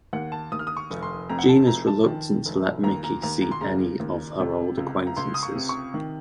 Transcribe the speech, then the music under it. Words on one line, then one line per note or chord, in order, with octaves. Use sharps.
Jeanne is reluctant to let Mickey see any of her old acquaintances.
D#2 F#5
A5
D#2 D#6
F6
D#6
C#6
F1
C6
F2 A#5
F#5
A5
F1 A#5
A5
D#3
F1
D#2 A#5
A#5
D#2 A#5
A#5
C6
C#3 A#5
D#2
C3
C#2
A#5
C#2 C6
D#6
C#6
C3
C#6
D#3